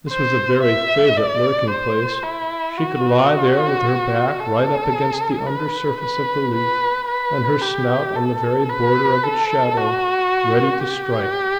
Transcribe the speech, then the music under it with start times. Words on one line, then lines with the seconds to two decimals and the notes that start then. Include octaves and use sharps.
This was a very favourite lurking-place; she could lie there with her back right up against the under surface of the leaf, and her snout on the very border of its shadow, ready to strike.
0.10 C5
0.63 E5
1.17 D5
1.70 C5
2.24 E4
2.78 F#4
4.40 A4
5.47 B4
6.01 B4
6.55 B4
7.09 B4
7.62 G4
8.16 A4
8.70 B4
9.23 A4
9.77 F#4
10.84 G4